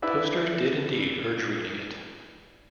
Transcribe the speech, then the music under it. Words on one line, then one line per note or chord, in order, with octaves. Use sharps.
Posters did indeed urge reading it.
D4 E4 B4 E5